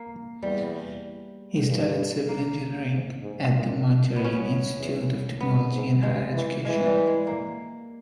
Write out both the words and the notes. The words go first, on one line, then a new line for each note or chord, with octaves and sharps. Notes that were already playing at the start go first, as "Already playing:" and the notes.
He studied civil engineering at the Monterrey Institute of Technology and Higher Education.
Already playing: A#3
E2 G3
G2
A#3
G#2
G#2
A#2
B2 B3
C#4
B3
E2
G2 B3
G#2
G2 G#3
E3
E3 G#3
G3
G#3
A#3